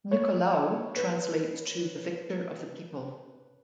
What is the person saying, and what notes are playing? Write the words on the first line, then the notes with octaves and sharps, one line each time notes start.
Nicolaou translates to the "Victor of the People".
C#5
B4